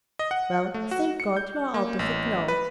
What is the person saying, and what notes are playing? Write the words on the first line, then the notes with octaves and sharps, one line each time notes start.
"Well, thank God you're out of it now!"
D#5
F#5
A3
F#4
C#7
G6
A#3
A1
B4